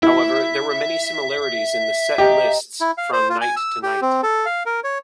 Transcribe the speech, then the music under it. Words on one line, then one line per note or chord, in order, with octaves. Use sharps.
However, there were many similarities in the set lists from night to night.
E4 E5
G4 D#5 G5 A#5
E4
F5
C5
F4
G#5
E6
G4
C4
A4
F5
A#4
C#5